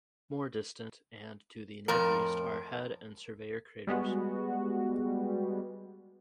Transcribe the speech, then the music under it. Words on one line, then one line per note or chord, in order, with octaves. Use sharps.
More distant and to the northeast are Head and Surveyor craters.
F2 A2 A#4
G3 G#3 B3 F#4